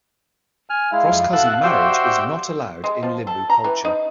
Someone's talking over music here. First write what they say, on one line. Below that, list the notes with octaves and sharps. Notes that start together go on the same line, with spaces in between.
Cross-cousin marriage is not allowed in Limbu culture.
G#5 F6
G#3 E4 F5
F2
E4 F#4 A4 F#6
F#4 G4 C5 D5 E5 C6
G#3
F3
A4
A#5
E3
D#4